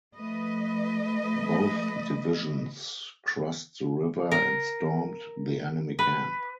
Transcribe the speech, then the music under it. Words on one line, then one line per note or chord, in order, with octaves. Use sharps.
Both divisions crossed the river and stormed the enemy camp.
F3 A3 B4 D#5
A#4
B4